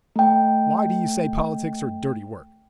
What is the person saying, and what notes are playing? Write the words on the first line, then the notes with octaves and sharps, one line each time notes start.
"Why do you say politics are dirty work?"
A3 G5